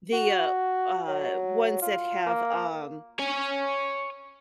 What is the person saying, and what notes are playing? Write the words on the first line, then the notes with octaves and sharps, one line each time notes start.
the, uh uh, ones that have, um
F#4
F#3
F4
A#3
C#5 G#5